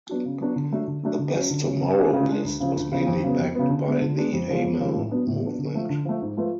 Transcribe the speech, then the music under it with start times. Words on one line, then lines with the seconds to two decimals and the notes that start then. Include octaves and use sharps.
The "Best Tomorrow" list was mainly backed by the Amal Movement.
0.09 F#3 B3 D4 F#4
0.25 C#3
0.41 F#3 B3 D4 F#4
0.56 D3
0.72 F#3 A3 D4
0.87 D3
1.03 F#3 A3 D4
1.19 D3
1.35 F#3 C#4
1.50 D3
1.66 F#3 C#4
1.81 C#3
1.98 G#3 D4
2.13 C#3
2.29 G#3 D4
2.44 D2
2.60 C#3 F3
2.76 D2
2.92 C#3 F3
3.07 F2
3.24 C#3 F#3 B3
3.39 F2
3.54 C#3 F#3 B3
3.70 D3
3.85 G#3 B3 D4
4.02 D3
4.17 G#3 B3 D4
4.33 F2
4.49 C#3 F3 G#3 C#4
4.64 F2
4.80 C#3 F3 G#3 C#4
4.96 A2
5.11 F#3 B3 D4
5.27 A2
5.43 F#3 B3 D4
5.59 D3
5.74 F3 A3
5.89 D3
6.05 F3 A3
6.22 G#2
6.37 F3 A3 F4 B4